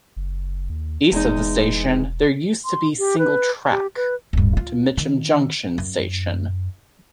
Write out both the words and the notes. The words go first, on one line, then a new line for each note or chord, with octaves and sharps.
East of the station there used to be single track to Mitcham Junction Station.
F#1
D#2
E1 E2 G#3 D#4
C6
G4
B4
G4
B4
D1 G2
F4
D#3
F#2